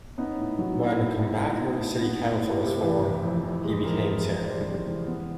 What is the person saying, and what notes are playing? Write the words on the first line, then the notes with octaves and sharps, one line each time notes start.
When Coimbatore City Council was formed, he became chairman.
B3 C#4 D#4
A2
F#3
B3 D4 E4
B3
A2
A2 D#4 F4
B3
A2
B3
A2
A2
C3
E3
E3
F2
E3
G#3
F2 G#4 A#4
F2
G#3
F2 C5 D5
C3
E3
B3